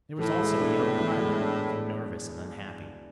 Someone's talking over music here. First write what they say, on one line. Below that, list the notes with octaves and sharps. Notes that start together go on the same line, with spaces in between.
There was also a young pilot, looking nervous and unhappy.
A2 E3
G#3
D4
B3
E3
G#3
D4